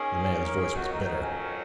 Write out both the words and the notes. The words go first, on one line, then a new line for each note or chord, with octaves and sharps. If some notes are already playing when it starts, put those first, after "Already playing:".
The man's voice was bitter.
Already playing: D#3 A#3 C#4 G#4
A#4
G#4
F2 D#3 F#3 F#4
D#4
D#4
C#4